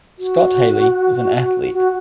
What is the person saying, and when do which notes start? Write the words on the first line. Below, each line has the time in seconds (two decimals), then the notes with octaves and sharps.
Scott Haley is an athlete.
0.19 F#4
1.73 F#4